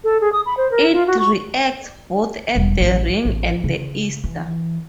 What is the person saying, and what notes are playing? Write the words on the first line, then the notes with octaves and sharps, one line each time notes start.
It reacts both at the ring and the ester.
A4
G#4
D#6
B5
C5
A#4
F4
F#4
C#6
E1 G3
A1
A1
C#3
E3